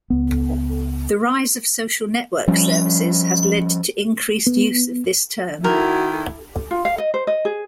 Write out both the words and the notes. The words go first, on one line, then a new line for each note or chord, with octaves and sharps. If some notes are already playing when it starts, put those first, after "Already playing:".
The rise of social network services has led to increased use of this term.
C#2 B3
F3 G3 C#4
B3
D#3 E4 F#4 A#4
F4
F5
D#5
C5
D#5
G#4